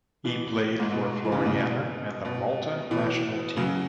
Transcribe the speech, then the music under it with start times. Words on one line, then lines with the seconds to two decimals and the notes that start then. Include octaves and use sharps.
He played for Floriana and the Malta national team.
0.25 B2 E3
0.80 G#2
0.91 B2
1.25 E3
1.32 C#3
1.40 B2
1.46 G#2 C#3
1.58 B2
2.25 B2
2.91 B2 E3
3.57 C#3 F#3